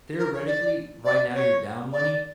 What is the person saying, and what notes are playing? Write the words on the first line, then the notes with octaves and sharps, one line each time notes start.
Theoretically, right now you're down money,
A#4
C#5
D5
D5
C#5
D5